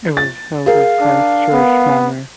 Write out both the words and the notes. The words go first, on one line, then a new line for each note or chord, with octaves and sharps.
It was held of Christchurch manor.
A6
G#4 A#4 F5
D4
B3